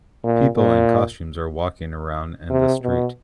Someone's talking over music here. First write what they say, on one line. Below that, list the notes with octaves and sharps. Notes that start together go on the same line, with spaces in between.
People in costumes are walking around in the street.
A#2
A#2
C3
B2